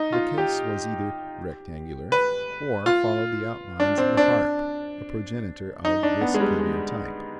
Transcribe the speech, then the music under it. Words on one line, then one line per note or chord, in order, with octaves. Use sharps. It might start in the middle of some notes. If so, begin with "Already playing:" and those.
The case was either rectangular, or followed the outlines of the harp, a progenitor of this clavier type.
Already playing: D#4
F4
G4
B4
F4
D4
C4
D4
D#4
D4
B3
G#3
G3
G#3